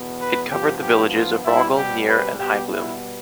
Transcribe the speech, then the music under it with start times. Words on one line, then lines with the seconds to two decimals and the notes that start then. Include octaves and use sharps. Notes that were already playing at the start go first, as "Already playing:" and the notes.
It covered the villages of Roggel, Neer, and Heibloem.
Already playing: E2 B2 B3
0.19 B4
0.50 G2 F3 B3 G4
0.82 G4
1.13 F4
1.44 B2 G3 C4 E4
1.76 G4
2.07 B4
2.39 B2 G3 B3 G4
2.71 E4